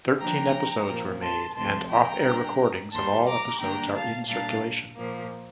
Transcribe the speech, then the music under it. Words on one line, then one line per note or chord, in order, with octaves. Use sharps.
Thirteen episodes were made and off-air recordings of all episodes are in circulation.
D3 F3 A#3 D4 G5 A#5
A#2 F3 A#3
A5 C6
D2 C3 F3 A3 A5 C6
G5 A#5
A#2 G3 D4
D#2 D#3 G3 A5 C6
A#5 D6
D3 G3 A#3 D4 G5 A#5
F5 A5
A#2 G3 D4 F5 A5
A#2 F3 A#3